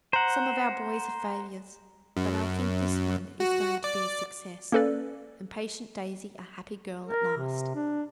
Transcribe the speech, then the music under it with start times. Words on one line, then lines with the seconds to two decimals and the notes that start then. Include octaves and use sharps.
'Some of our boys are failures, but I think this one is going to be a success, and patient Daisy a happy girl at last.
0.13 C5 F#5 A#5
2.17 F#2
3.40 F#4
3.84 D5
4.72 A#3 C#4 A4 B4 D5
7.06 A#4
7.37 C3
7.75 D4